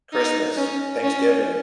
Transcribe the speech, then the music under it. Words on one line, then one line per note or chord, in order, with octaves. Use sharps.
Christmas, Thanksgiving,
D#4
C#4
C#4